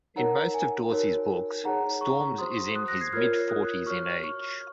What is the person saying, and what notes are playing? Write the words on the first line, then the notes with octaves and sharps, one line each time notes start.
In most of Dorsey's books, Storms is in his mid-forties in age.
D#4 A#4 C#5 F#5 A#5
G#5
D#4 F#4 A#4 C#5
D#4 G#4 C#5 F#5 A#5
A#5 C#6
F#4 C5 C6 D#6
D#6 F#6
F#6 A#6
G#6 C7
F4 A#4 C#5 F6 G#6
D#6 F#6
F#4 C#5 C#6 F6
C#6 F6